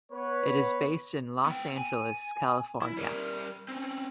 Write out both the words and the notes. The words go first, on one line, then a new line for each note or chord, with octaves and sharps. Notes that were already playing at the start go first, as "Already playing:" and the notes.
It is based in Los Angeles, California.
B3 B4 C#5
B3 G5
G#5
E4
G3 A#4
C4 C#4